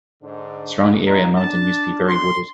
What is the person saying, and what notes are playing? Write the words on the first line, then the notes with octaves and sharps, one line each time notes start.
The surrounding area and mountain used to be very wooded.
G#2 D3 D4
D#4 F4 A#5
D4 A5
C6